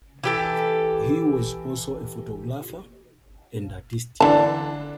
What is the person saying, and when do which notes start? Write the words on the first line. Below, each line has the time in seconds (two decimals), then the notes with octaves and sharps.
He was also a photographer and artist.
0.23 E3 G4 A4
4.20 D3 E3 D4 A5